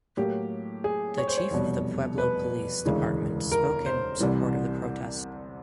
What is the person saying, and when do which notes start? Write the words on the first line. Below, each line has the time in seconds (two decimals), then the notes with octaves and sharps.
The chief of the Pueblo Police Department spoke in support of the protest.
0.17 A2 F#3 A#3 G4
0.84 G#4
1.18 C#5
1.28 C5
1.38 C#5
1.51 F1 E2 B2 G3
2.18 B4
2.86 E1 D2 C#3 E3 G#3
3.52 A#4
3.86 C5
4.19 C2 C3 E3 G3